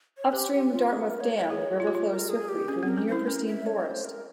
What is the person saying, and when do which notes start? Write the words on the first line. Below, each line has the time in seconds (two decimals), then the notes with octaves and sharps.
Upstream of Dartmouth Dam, the river flows swiftly through near-pristine forest.
0.18 C#5
0.32 G4 C5
0.53 G4
0.72 F4
0.92 G#4
1.07 A#4
1.21 C#5
1.36 C#5
1.50 G#4
1.80 F4
1.87 G4
1.95 F4
2.09 A#4
2.29 G#4
2.49 G4
2.68 C#4 G#4
2.83 C4
2.88 A#4
2.98 C#4
3.08 E4 C5
3.27 C#4 A#4
3.47 E5
3.66 C#5
3.86 C5
4.05 A#4